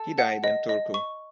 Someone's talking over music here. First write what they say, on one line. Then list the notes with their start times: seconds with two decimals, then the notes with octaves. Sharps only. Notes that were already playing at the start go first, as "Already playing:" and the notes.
He died in Turku.
Already playing: A4
0.18 F#5
0.44 D#5
0.69 D#5
0.94 C#6